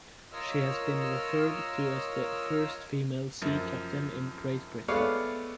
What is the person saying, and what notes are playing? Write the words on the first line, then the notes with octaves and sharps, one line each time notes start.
She has been referred to as the first female sea captain in Great Britain.
F4 A#4 C#5 D#5 E6 F6
F#2 F3
G#3 A3 B3 C#5 D5 F5